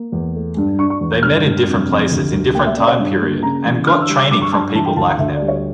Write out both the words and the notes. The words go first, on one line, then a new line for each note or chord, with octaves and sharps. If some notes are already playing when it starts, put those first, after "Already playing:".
They met in different places in different time period and got training from people like them.
Already playing: A#3
E2
A3
G2
D4 C#6
C#6
E2
G6
G2 F6
G2
F1
F2
D2
D2
A#3 G5
E5
C#3 D5
C#5
G2
A#3
C#3 A#5
E3
D3 F6
E6
G3
D6
G2 D6
C#6
G2 A5
E3 A5
G5
D2 A5
F5
D2 E5
D5
G3
C#5